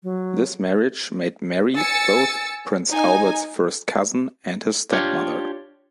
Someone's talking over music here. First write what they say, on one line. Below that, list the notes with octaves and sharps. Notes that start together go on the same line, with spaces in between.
This marriage made Marie both Prince Albert's first cousin and his stepmother.
F#3
G#5 E6 A6 C#7
D#4 G#5
D4 F4 G4 C#5